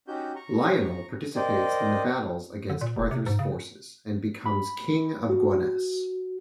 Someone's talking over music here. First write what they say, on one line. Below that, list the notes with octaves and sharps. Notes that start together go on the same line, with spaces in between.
Lionel participates in the battles against Arthur's forces, and becomes King of Gaunnes.
C#4 D#4 F#4 G4 G6
A#5 C#6
A#4 C5 D5 D#5 G5
D3
A#2
F1
C3
G#2
C#3
B5
F#4